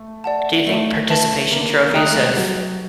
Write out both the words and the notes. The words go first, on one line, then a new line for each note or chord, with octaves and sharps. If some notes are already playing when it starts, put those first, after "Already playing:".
Do you think participation trophies have
Already playing: A3
D5 F#5 A5
A3
B4 E5 A5
A#3
A#3
A3 D#5 G5 A#5 D#6 F#6
A3
G#3
G3
F#3